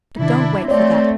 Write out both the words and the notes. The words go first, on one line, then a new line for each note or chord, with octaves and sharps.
But don't wait for that.
C3 D#3 D4 E4
A3 C4 C#5 D5